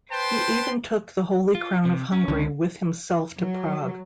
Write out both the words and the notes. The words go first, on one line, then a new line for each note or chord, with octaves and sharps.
He even took the Holy Crown of Hungary with himself to Prague.
B4 C5 G5 A5 C6
F4
C3
C#4
C#2 D3
F#3